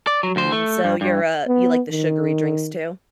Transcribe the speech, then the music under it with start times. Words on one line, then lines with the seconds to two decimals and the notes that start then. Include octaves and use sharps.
Mm, so you're, uh, you like the sugary drinks too?
0.07 D5
0.23 F#3
0.36 D2 C5
0.52 A3
0.84 G2
1.01 G2
1.48 B3
1.91 D#3